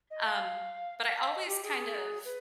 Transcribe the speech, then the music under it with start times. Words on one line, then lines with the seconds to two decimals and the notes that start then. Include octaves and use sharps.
um, but I always kind of,
0.10 D#5
0.26 F5
1.02 F5
1.18 F5
1.32 D#5
1.48 G4
1.64 G#4
2.25 B4